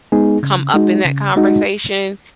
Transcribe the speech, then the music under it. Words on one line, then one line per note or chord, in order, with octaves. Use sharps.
come up in that conversation,
G#3 B3 D#4 G#4
C#3
G#3 D#4 F#4
C#3
G#3 D#4 F#4